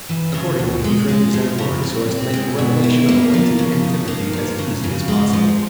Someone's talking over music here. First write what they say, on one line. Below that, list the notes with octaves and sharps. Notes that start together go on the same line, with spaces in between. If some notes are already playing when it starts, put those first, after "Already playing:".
Accordingly he framed his enquiries so as to make the revelation of a latent antipathy as easy as possible.
E3
C#3
D2
G#3
G#3
F3
C#3
C4
C4
G#3
B2
E4
A#3
F3
C#3
D#4
A#3
F3
C#3
C#3
G#3
F3